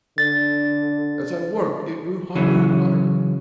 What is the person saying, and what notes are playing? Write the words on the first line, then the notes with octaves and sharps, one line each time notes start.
As I worked it grew hotter and hotter.
D3 A6
C#3 E3 F#3 C#4